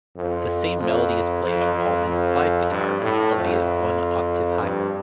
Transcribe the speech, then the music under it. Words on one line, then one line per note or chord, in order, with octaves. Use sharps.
The same melody is played on Allman's slide guitar, albeit one octave higher.
F2
F2
F2
F2
F2
G2
A2
F2
G2